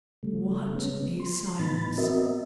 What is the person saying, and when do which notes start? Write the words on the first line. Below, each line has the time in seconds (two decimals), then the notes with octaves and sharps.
What a silence!
0.23 C#3 G3 A3
0.75 C#3 G#3 B3 C#4
1.20 C6
1.59 A2 E3 B3 D#4 B5 A6
1.98 B3 C4 F#4 A#4 D#5 E5